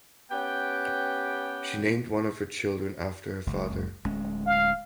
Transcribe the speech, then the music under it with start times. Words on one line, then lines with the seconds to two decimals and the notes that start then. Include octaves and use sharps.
She named one of her children after her father.
0.31 B3 C#4 G4 G5
3.47 F#1 C#2
4.05 D1 G#3 C#4
4.46 F5